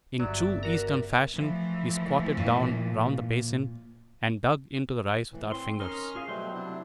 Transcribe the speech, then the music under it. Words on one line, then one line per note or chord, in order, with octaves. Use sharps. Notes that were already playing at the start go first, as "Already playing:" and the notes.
In true Eastern fashion we squatted down round the basin and dug into the rice with our fingers.
G1 F#3 D5 E5
F#4 A#4 A#5
E3 F3 A3
A#2
A2 E3
C4 C6
C#4 D#4 A#4 C6 F6
F4 G#4 F5
B2 F#3 G3 A3 C5 C6
C3 D4 E4